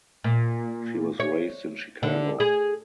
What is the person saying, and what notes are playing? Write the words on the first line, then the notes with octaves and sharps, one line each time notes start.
She was raised in Chicago.
A#2
C#5
D3
G#4